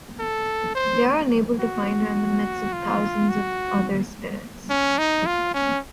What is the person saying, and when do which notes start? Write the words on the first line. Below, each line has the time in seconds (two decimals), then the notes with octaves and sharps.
They are unable to find her in the midst of thousands of other spirits.
0.19 A4
0.75 C5
1.60 F#4
2.73 F4
3.29 F#4
4.70 C#4
4.98 D#4
5.26 F4
5.54 C#4